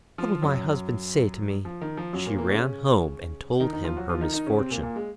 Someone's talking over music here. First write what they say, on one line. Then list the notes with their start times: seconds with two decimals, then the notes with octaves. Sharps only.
'What will my Husband say to me?' She ran home, and told him her misfortune.
0.18 F3 F4
0.42 F#2 F#3
1.65 F3
1.81 D#3
1.97 F3
2.13 F#2 F#3
2.26 A#2 A#3
2.38 A#2 A#3
2.50 C#3 C#4
3.60 D#3 D#4
3.73 D#3 D#4
3.84 F3 F4
3.97 F#3 F#4
4.09 F3 F4
4.21 D#3 D#4
4.34 D#3 D#4
4.46 C#3 C#4
4.58 C3 C4
4.71 A#2 A#3
4.83 A#2 A#3
4.96 G#3